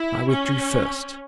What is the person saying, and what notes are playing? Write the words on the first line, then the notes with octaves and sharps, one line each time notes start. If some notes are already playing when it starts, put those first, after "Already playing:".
I withdrew first.
Already playing: E4
C#4